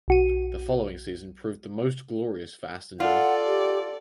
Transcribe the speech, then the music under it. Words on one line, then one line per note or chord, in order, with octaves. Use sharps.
The following season proved the most glorious for Aston Villa.
B1 F#4 D#7
F4 A4 D5 F#5
G4